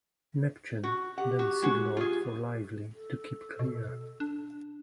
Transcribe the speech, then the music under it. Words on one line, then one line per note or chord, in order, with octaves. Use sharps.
"Neptune" then signalled for "Lively" to keep clear.
F#4
G4 F#5
F#4
G#3 F#4
F4 G#4
A4
B2
D4